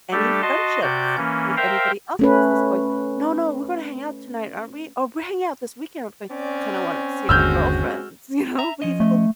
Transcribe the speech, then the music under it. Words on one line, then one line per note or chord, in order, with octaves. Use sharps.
any friendships with anybody else 'cause it's like, "No, no. We're gonna hang out tonight, aren't we? Oh, we're hanging out this weekend, with me," kinda wanted to see my girlfriends, you know, but he's like, "Oh"
G3 A3 D4 G4 A4
F#4 D#5 A5 C6
C3 F#4 D5 G6
E3 A#3 C#4
A#4 C5 E5 F5 G5 A#5
A3 C#4 B4
C4 C#4 D5
G1 D#2 D3 G#3 F#4 E6 F6 G6
E5 A#5
F3 C#4 D#5
A3